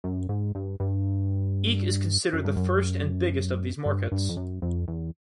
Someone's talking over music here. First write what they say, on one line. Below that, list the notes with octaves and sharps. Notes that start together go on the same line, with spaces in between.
Eke is considered the first and biggest of these markets.
F#2
G#2
G2
G2
F#2
G2
F#2
G2
G2
F2
F#2
F2
E2